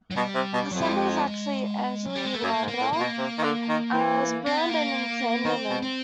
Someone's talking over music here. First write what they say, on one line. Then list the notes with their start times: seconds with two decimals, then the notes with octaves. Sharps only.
The sender was actually Angele Laval, a spurned and insane woman.
0.11 F#3
0.16 B2 G3
0.34 C3
0.53 B2
0.71 F2 F#3
0.81 G3
0.91 G#3
2.06 F#3
2.15 G3
2.25 G#3
2.34 A3
2.42 F#2 A#3
2.62 G#2
2.68 A#3
2.81 A2
2.93 A#3
2.99 B2
3.18 C3
3.38 D#3
3.43 D3
3.68 D#3
3.93 E3
4.46 C4
4.58 B3
4.69 A#3
5.44 D#3 C4
5.69 B2
5.82 C4